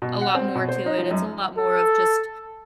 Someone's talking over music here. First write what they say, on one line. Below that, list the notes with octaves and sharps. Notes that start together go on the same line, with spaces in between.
a lot more to it. It's a lot more of just"
B2
F#5
C4
B2
C5
D#4
F3
F#2
A4